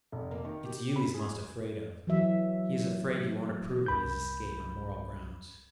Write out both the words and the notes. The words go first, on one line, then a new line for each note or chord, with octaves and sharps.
It's you he's most afraid of, he is afraid you won't approve of his escape on moral grounds.
F1
A#3
D#3
G4
B5
G#4
E3 F#3 E5
C2 B5 G6